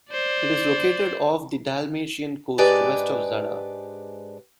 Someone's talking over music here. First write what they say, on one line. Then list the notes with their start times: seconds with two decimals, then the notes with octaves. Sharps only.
It is located off the Dalmatian coast, west of Zadar.
0.11 C5 D5
2.58 G#2 G#3 D4 G4 B4 D5